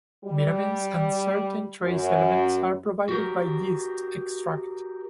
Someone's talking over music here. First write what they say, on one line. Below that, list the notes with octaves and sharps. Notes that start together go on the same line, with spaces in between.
Vitamins and certain trace elements are provided by yeast extract.
G3
F#2
F#4 G4 A#4